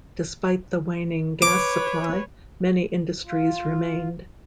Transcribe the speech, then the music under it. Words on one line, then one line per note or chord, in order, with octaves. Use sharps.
Despite the waning gas supply, many industries remained.
B4 C#5 D6
F4